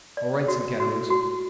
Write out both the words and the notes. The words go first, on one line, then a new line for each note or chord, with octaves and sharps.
"All right!" said Caderousse.
D5
F#4
F#4
F#4